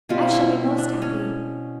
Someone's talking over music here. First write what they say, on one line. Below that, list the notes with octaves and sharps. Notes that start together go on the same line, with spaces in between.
"I shall be most happy."
B2 G3 C4 F4
E4
D4
C#4